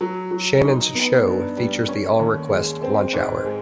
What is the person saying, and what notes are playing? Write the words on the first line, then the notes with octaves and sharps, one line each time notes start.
Shannon's show features the All Request Lunch Hour.
F#3
F#3
D#4
B3
G2
G3
C#4
D#2
G#3
C4
G#2
G#3